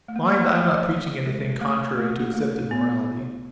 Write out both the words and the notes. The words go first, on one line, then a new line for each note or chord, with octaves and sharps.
Mind, I am not preaching anything contrary to accepted morality.
A3
A#3
A3
A#3
A3
A#3
G#3
A3
A3
A#3
A3
B3